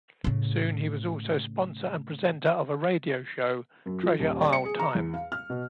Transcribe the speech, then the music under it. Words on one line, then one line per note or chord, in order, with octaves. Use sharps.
Soon he was also sponsor and presenter of a radio show, Treasure Isle Time.
A2 C#3
F#2
F3
D#1
D5
C#7
G#4
A#5
E2
F5
F6
B2